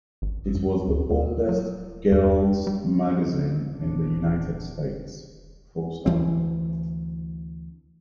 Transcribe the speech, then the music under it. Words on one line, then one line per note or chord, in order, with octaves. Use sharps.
It was the oldest girls' magazine in the United States.
G#1
F#2
D2
D#2
F#3
E2
G3
A#1 D4
D2 E3 C4